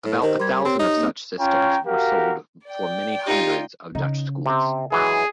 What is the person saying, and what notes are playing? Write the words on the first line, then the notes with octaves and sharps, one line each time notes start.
About a thousand of such systems were sold for many hundreds of Dutch schools.
A2
D#3 G4 A#4 C5
G3 C6 G#6
C4 G4 C#5
D#4
A#3 C4
C#4 F4 C#5 G5 A#5
F#4 G4 A#4 F5
D5 G5
D#4 F4 G4
C#3 D#4
C3 C4
E3 F#3 G#3 G#4